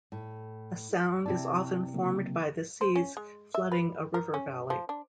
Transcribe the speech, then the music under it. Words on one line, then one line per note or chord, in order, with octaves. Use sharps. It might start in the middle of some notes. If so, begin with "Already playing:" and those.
A sound is often formed by the seas flooding a river valley.
A2
C3 E4 D5 A5
C#3 F#3 A#3
C5
C#4
G#3
E5
B4
A#4
C#4
F3
D4